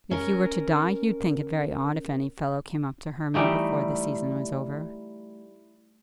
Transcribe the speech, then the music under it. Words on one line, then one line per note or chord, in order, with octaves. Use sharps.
If you were to die, you'd think it very odd if any fellow came up to Hermy before the season was over.
C#4 A#4
E3 G3 A3 D#4